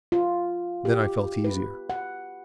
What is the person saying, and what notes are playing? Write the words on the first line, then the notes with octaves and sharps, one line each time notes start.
Then I felt easier.
F4
G4
B4
F#5